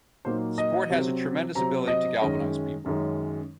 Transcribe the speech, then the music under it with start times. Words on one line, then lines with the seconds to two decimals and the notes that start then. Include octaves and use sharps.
Sport has a tremendous ability to galvanise people.
0.25 A#2 F#3 A#3 D#4 C5
0.58 D#5
0.90 C3 F#3 C4
1.55 C3 F#3 C4 A#5
1.87 D#5
2.21 F#2 D#3 G#3 C#4
2.86 F#2 D#3 G#3 C#4